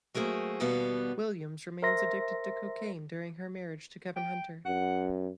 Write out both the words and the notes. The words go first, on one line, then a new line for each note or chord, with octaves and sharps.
Williams remains addicted to cocaine during her marriage to Kevin Hunter.
F#3 A3 A#3 G#4 C5
D#2 B2 G3 B3 F5
A#4 C5 E5 C6 A#6
G5
F#2 F#5